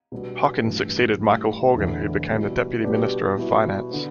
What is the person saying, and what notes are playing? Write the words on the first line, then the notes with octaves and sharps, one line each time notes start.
Hockin succeeded Michael Horgan who became the Deputy Minister of Finance.
B2 G3 B3 D4 B4
A1 G2 E3
A1 A2 G3
E1 E2 D3 A3 E4
B2 G3 E4
B2 G3 D4 G4 B4
B2 G3 E4 B4
D3 B3